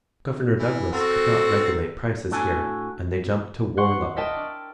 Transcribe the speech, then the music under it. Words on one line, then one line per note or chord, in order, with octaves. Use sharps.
Governor Douglas could not regulate prices here, and they jumped to war level.
E3
C4 F#4 A4 A#4
A2 D4 F#4 A4 G#5
F#5 C6 C#6 F#6
A#4 D#5 E5 G5 A5
D4